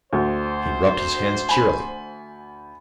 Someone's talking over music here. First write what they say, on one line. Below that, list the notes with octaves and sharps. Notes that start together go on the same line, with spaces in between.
He rubbed his hands cheerily.
D2 C5
G#5 B5